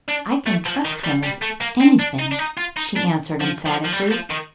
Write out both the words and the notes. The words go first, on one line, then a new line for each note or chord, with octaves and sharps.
"I can trust him with anything," she answered emphatically.
D4
A3
F3
D#3
G3
G3
A3
A#3
C4
D4
D#4
D4
D#4
F4
D#4
D4
F3
F3
F3
G3
F3
D#3